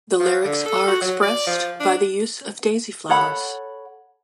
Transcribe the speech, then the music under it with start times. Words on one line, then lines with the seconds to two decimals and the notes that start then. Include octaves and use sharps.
The lyrics are expressed by the use of daisy flowers.
0.20 F3
0.45 D3
0.66 A4
0.88 F#4
1.02 F#3
1.23 D5
1.47 F3
1.80 D4
3.09 A4 C#5 F#5 B5